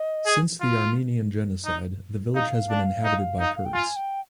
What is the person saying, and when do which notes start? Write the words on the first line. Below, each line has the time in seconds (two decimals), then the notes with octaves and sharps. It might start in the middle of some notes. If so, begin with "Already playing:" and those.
Since the Armenian genocide the village has been inhabited by Kurds.
Already playing: D#5
0.26 G#4
0.61 F4
1.65 D#4
2.34 D#4 F5
2.70 D4
3.04 D#4
3.39 D#4
3.56 F5
3.66 G5
3.73 F4 G#5
3.96 G5